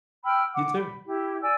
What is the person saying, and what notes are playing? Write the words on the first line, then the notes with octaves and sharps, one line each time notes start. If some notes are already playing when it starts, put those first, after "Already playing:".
You too.
G5 B5 E6 F6
F#5 D6
B5
E4 G4
D5 G#5 E6